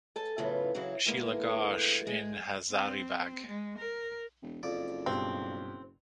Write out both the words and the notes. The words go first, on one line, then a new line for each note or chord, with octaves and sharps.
Sheila Ghosh in Hazaribagh.
A4 G#5 A5
F#2 A2 C#3 E3 B3 F4
C#3 E3 F#3 E4 F#4 F5
A2 D3 G#3 A#3 B3
G#3
C4
G#3
A#4
E1
F#1 F2 D5
G2 B2 C4